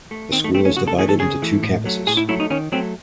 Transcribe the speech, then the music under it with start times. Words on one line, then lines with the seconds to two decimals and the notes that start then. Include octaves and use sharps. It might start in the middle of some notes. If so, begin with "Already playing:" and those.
The school is divided into two campuses.
0.11 A3
0.32 D#3 C4
0.44 A3
0.54 A3 C4
0.65 C#4
0.76 C#3 F#4
0.87 A4
0.98 E3 A3 G#4
1.09 A4
1.20 C#3 G#4
1.42 E3 A3
1.63 A2
1.85 F#3 A3
2.07 A2 G#4
2.17 E4
2.29 F#3 A3 E4
2.40 D#4
2.50 D#3 C#4
2.72 F#3 A3 C4